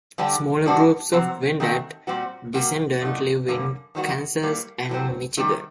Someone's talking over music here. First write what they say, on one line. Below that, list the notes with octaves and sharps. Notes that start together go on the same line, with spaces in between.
Smaller groups of Wendat descendants live in Kansas and Michigan.
D3 G3 D4 G4
G2 D#3 G3 D4 F#4
C3 F#3 C4
D#3 A3 C4 F#4
A#2 G3 C4 F#4
C3 G3 A#3 F#4
A#2 F#3 A3 D#4
F#2 D3 G3 A#3
D#3 G3 A#3 D4 F#4
A2 G3 A#3
A2 F#3 C4
C3 D#3 G3